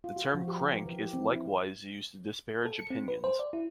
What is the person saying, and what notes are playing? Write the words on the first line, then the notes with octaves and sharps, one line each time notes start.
The term crank is likewise used to disparage opinions.
F4
F#4
F3
G4
A#4
E3
G4
C4
E4
A4
C#7
C4
B4
C5
D5
E4